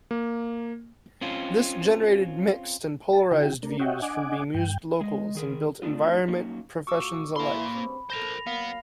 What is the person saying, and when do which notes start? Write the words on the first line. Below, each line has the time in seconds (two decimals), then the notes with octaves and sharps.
This generated mixed and polarized views from bemused locals and built environment professions alike.
0.11 A#3
1.21 C4 C#4 F4
3.13 A5
3.31 D3 E4 F#4 G5
3.63 A3 D4 A#4
3.80 F#4 C#5 D#5 E5 F#5 G5
4.02 D4 D#5 F#5 G#5 D6
4.55 G2 G5
5.01 G#3 D#5
5.35 D#3 G#4 A#4
5.82 A3 C4 D4 D#4 F4
6.28 F#3 A#3 C#4 D#4
6.87 A3 F4 F#4 C#6 D6 E6
7.36 E3 A#3 E4 B5 C6
7.72 G2 C#3 C4
8.10 A4 A#4 C5 B5 A#6 F7
8.47 F#3 A#3 B3 F5